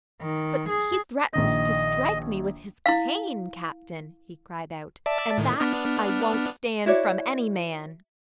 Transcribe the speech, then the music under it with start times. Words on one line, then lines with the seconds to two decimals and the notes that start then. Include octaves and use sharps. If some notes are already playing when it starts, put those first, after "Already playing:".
"But he threatened to strike me with his cane, Captain," he cried out, "and that I won't stand from any man!"
0.22 D#3
0.69 G#4
1.33 A#1 D#3 D#5 A#6
2.86 E4 F5
5.06 D5 E5 A5
5.38 A2 D#3
5.60 B3 D4 F6
6.86 E4 F#4 C#5 D5